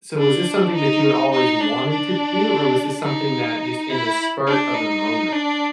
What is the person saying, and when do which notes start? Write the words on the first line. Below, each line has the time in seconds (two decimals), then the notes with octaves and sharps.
So was this something that you had always wanted to d do, or was this something that just in the spur of the moment,
0.18 D4
0.74 D#4
1.32 D#4
1.60 D4
1.89 D4
3.03 D#4
3.89 E4
4.47 D4
4.75 D#4
5.32 D4